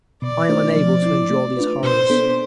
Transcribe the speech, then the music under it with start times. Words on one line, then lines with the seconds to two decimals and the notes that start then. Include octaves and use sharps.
I am unable to endure these horrors.
0.22 B2 D5
0.49 A3 D4 F4 C5
0.76 F3
1.02 C4 E4
1.29 A3
1.57 D4 F4 B4
1.83 B2 C5
2.10 B3 D4 A4